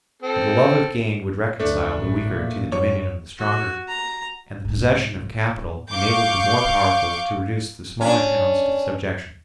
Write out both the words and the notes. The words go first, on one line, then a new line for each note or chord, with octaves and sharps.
For the love of gain would reconcile the weaker to the dominion of the stronger, and the possession of capital enabled the more powerful to reduce the smaller towns to subjection.
C4 A4
D2 A3 D4
A1
A#2
F#2 C#5
F#4
A#5
C2 G#2
F5 C#6 D6 G6
C#4 D4